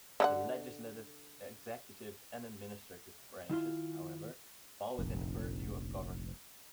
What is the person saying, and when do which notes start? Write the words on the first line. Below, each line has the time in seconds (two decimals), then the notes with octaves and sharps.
The legislative, executive, and administrative branches, however, fall within the purview of government.
0.20 D3 E4 F#5
3.49 D#3 E4 F4 C6
4.99 F1 A#1